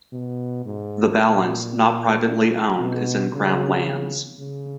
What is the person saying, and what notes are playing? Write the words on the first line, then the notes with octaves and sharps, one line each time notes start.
The balance, not privately owned is in Crown Lands.
B2
G#2
A#2
B2
C#3
C#3